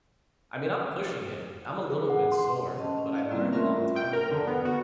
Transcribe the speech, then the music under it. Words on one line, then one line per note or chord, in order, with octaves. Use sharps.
I mean, I'm pushing it, I'm a little bit sore, but I learned a long time ago,
G#4
F#5
C6
C#4 D#5 A5
C#4
D5 F5
G3 A#3 C4 E4 F4
A3 C#4 F4 A#4 E5 C6
G5
A#4
D3
B3
F#4